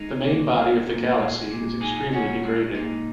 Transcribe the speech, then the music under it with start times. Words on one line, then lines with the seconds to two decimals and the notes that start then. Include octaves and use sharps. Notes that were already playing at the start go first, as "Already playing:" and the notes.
The main body of the galaxy is extremely degraded.
Already playing: G#3 D#4
0.25 A#2
0.56 G#3
0.87 A#2
1.18 G#3
1.50 A#2
1.80 G#3 D#4 G#4
2.12 A#2 C#4 F#4
2.43 G#3
2.75 A#2 D#4